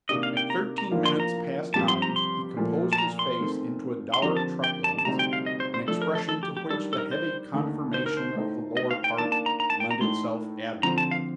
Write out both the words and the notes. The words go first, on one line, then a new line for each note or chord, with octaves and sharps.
At thirteen minutes past nine he composed his face into a dour truculence, an expression to which the heavy conformation of the lower part lent itself admirably.
C3 D#3 A#3 D4 G4 D#5
F5
G5
A#5
A#5
A2 F3 A#3 D4 F4
C6
A#5
G2 F3 C4 G4 A5
C6
A#5
C6
A#2 F3 A3
A5
A#5
C6
D#3 A3 C4
C6
D3 F3 C4 G4 A#4 A#5
A5
G5
A5
A5
D2 C3 G3 C4 D#4 A#5
G5
F5
D#5
C5
C5
F3 A3 D4 A4
A#4
A4
A4
G4
G4
D#3 G3 D4 A4
A4
A#4
C5
D#2 D3 A3 D#4
C5
A#4
C5
A2 A3 D#4 A4 C5
D#5
F5
G5
D#3 A#3 D4 A5
A5
A#5
A#5
A5
G5
A#5
A2 A3 D#4 A4 C6
D3 F3 C4 A#5
A5
F5